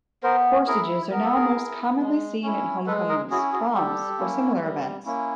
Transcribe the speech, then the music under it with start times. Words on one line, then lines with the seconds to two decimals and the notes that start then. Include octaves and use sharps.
Corsages are now most commonly seen at homecomings, proms, or similar events.
0.23 B3 A#4 C5
0.67 E4 G#4 A#4
1.11 B3 A#4
1.23 A4
1.34 G#4 A#4
1.55 E4
1.99 G#3
2.43 C#4 E4
2.87 G#3 A4 B4
3.09 G#4 A#4
3.30 C#4 E4 F#4 G#4
3.52 F#4 G#4
3.74 G3 G4 A4
4.18 A#3 C#4 E4
4.62 G3
5.06 A#3 C#4 E4